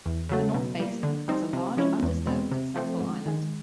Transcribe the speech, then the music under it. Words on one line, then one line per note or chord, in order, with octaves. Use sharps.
The North Basin has a large, undisturbed, central island.
E2
C#3 F#3 A3
B2
G3 A#3
D3
G3 C4 D#4
C3
F3 G#3 C#4 E4
E2
B2 G#3 C4
C3
F3 A3 C4
G#2
D#3 G#3